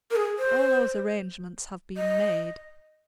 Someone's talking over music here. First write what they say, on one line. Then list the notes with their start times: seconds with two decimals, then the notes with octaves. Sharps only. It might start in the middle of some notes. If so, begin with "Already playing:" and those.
'All those arrangements have been made.'
0.11 A#4
0.16 G#4
0.39 C5
1.97 D#5